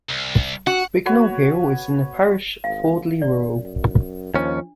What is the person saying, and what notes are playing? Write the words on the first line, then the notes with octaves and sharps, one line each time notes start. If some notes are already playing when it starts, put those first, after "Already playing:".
Bignall Hill is in the parish of Audley Rural.
C2
F#4 F#5
B3 F#4 B4 C#5
G#1 F5
D#2 D5
F#2
D#2 F3 C#4 D4